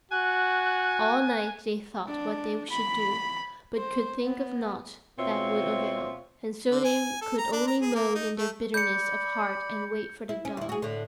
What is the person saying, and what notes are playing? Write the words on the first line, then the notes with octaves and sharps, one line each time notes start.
All night they thought what they should do, but could think of nought that would avail, and so they could only moan in their bitterness of heart and wait for the dawn.
F#4 G#5 F#6
D4
B5
C5
B3
B2 C4 F4 C5 C#5 E5
D3
G#5
A4
A#5
D4
A#5
G#4
A#3
D#4
A3
D5 B5 G6 C#7
E4
C#4
D2 E4
F#4 G#4
A2 D3